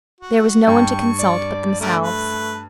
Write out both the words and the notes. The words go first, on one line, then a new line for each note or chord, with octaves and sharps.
There was no one to consult but themselves.
F#4
G2 G5 C#6
D5
D3 G3 A3 A#4
B4